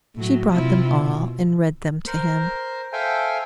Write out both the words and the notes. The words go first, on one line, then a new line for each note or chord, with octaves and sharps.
She brought them all, and read them to him.
A2 F#3
C3 E4 F4
B2
A#4 C5
A4 C5 E5 F5 G5 G#5